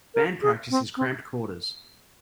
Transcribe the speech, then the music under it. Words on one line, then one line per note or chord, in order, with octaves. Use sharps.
Band practice is cramped quarters.
A#4
G#4
C4
C4